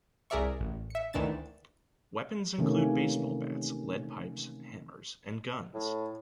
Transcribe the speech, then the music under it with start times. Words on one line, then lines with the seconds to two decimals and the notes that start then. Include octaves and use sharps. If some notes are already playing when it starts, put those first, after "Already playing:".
Weapons include baseball bats, lead pipes, hammers and guns.
0.30 C2 G#4 A#4 D5 E5 C#6
0.60 A1
0.90 E5 C#7
1.13 D2 D#3 E3 D4 A6 E7
2.58 C3 D#3 E3 A3 A#3 C#4
5.74 A2